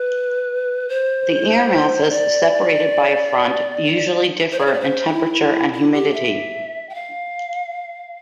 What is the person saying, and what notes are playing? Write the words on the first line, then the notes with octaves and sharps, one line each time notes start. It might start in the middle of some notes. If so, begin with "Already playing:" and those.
The air masses separated by a front usually differ in temperature and humidity.
Already playing: B4
C5
D5
C5
D5
C5
D5
C5
D4
E4
E4
G4
E5
G5
F5